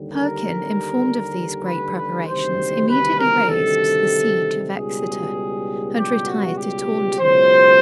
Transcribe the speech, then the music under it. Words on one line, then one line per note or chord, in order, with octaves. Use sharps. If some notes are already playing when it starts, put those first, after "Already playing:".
Perkin, informed of these great preparations, immediately raised the siege of Exeter, and retired to Taunton.
Already playing: D#2 D3 G3
A#4
B4
B4
D2 C3 D#3 G3 C5
B4
A#4
A4
C#2 B2 G3 G#4
G4
F#4
G4
C#2 B2 F#3 C5